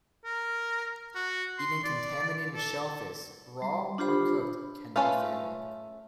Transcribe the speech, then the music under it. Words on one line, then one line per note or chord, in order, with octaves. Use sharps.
Eating contaminated shellfish, raw or cooked, can be fatal.
A#4
F#4
C6
D5
A4
G3 C6
D4 F4 G4 C5 B5
A3 C#4 F4 B4 F5